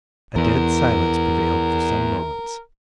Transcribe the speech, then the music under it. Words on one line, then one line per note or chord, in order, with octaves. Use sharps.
A dead silence prevailed for some moments.
E2 A#4